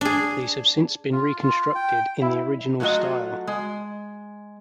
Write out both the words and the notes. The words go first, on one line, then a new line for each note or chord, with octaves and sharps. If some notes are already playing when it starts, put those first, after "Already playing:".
These have since been reconstructed in the original style.
D4 G#4
F4
F4
G5
E4
F#3 A3 F4 F#4 D#5
G#3